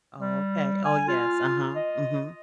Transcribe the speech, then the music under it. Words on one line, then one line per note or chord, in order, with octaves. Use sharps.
Oh okay oh, yes, uh-huh, mhm.
G3
G#5
F4
D#5